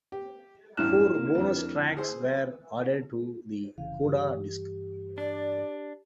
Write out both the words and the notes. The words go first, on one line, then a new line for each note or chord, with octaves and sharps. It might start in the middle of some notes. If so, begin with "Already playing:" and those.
Four bonus tracks were added to the "Coda" disc.
G4
A1 G2 E4 F6 F#6 E7
A#3
F2 D4
G#4 C5
F1 C#3 E3 F5
G2 E3 G3 G4
D4 D5